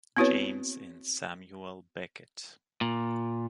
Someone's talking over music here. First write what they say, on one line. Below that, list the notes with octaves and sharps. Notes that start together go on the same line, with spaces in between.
James and Samuel Beckett.
B3 C4 E4 F#4 B4 C#5
A#2